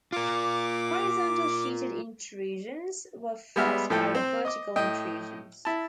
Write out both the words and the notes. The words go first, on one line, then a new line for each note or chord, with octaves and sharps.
Horizontal sheeted intrusions were fed by vertical intrusions.
F4 A#4 D6
G3 G#3 B3 E5 F6
A2 F3 A4 G5
C4 C5
D#5 D6
A2 D#5 G5
E4 A5